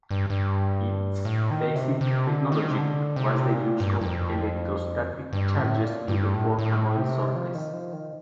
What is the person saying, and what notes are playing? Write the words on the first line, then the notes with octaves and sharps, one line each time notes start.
Its basic technology was the use of electrostatic charges to deform an oil surface.
G2
G2
A2
D#3
C3
C3
D3
D#3
C3
D3
C3
A#2
G2
G2
F2
G2
A2
A#2
G2
A2
A2
C3
F3
D#3
F3
D#3